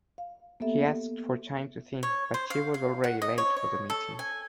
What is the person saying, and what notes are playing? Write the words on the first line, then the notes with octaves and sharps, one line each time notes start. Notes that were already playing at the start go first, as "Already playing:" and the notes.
He asked for time to think, but she was already late for the meeting.
F5
A#3 B3 G4 A4 E5
C#5
C5
F5
F5
F#5
D#5
C#5
C#5
A4
G#5